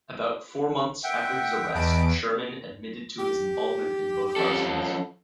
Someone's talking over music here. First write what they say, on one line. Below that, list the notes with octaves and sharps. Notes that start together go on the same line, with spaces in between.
About four months after his arrest Sherman admitted to his involvement in both arsons.
E5 F#5 G5
E2 D#5 A5 B5 D7
G4
F3 C#4 A4